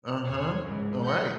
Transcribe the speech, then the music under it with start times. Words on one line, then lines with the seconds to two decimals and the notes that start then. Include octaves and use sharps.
Uh-huh. Alright.
0.23 E2 C5 C#5 G#5
0.65 C#2 G#2 E3
1.02 D#5 F#5 G6